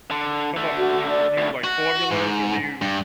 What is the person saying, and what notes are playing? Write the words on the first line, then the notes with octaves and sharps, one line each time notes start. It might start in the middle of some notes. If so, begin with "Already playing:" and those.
come up with you new like formulas or new
D3
D3 A3
F#4
D5
D2 A2
F#4
G#2
G2